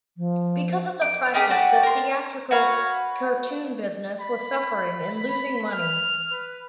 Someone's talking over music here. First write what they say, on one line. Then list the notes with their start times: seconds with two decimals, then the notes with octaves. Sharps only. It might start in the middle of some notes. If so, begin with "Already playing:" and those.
Because of the practice, the theatrical cartoon business was suffering and losing money.
0.17 F3
1.01 D6
1.34 C#4 D#4 G4 G#4
1.50 F#4 D5 G5 A5
1.83 A#4 C6
2.51 F#4 B4 C#5 F5
4.20 B5
5.70 F6
6.32 B4